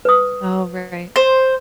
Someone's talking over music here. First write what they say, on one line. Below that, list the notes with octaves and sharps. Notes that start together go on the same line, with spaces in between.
Oh, right.
B4 D#6
C5